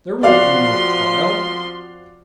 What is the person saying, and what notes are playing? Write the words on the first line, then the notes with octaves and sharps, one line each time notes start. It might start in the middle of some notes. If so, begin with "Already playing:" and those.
There won't be no trial.
F3 C4 F#4 G4 D5 F5 C6